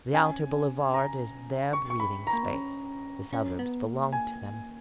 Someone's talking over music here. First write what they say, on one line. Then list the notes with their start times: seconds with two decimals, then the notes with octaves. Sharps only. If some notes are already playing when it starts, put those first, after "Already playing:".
The outer boulevard is their breathing space; the suburbs belong to them.
0.13 C#4 G#5
0.94 A#5
1.73 C#6
1.90 C#6
2.00 B5
2.27 A#5
2.33 A#3
2.43 B3
2.53 C#4
3.33 C#4
3.59 B3
3.86 A#3
4.13 G#5